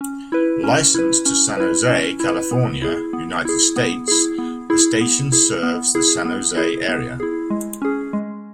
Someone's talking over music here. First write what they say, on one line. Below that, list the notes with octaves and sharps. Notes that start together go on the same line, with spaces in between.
Licensed to San Jose, California, United States, the station serves the San Jose area.
C#4
E4 B4
C#4
E4 B4
C#4
E4 B4
C#4
E4 B4
B3
E4 G#4
B3
E4 G#4
B3
E4 G#4
B3
E4 G#4
B3
E4 G#4
B3
E4 G#4
B3
E4 G#4
B3
E4 G#4
G#3
C#4 G#4
G#3